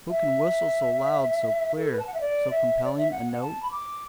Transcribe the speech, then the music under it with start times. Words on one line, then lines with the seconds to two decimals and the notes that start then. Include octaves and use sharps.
Who can whistle so loud, so clear, so compelling a note?
0.10 E5
1.77 A4
1.91 B4
1.99 A5
2.07 F#5
2.14 E5
2.21 D5
2.51 E5
2.84 D5
2.97 E5
3.11 F#5
3.33 F#5
3.42 A5
3.62 B5
3.72 D6